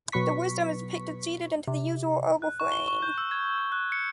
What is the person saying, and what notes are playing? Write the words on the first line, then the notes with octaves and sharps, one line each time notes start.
The “Wisdom” is depicted seated into the usual oval frame.
B2 F#3 B4 C#6 B6
C3
F#6
C#6
G7
C#6
G6
E6
G#6
E6
F#6
C#7